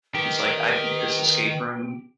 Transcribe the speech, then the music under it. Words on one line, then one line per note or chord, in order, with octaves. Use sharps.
That's like, "I beat this escape room."
D#3 G4 B4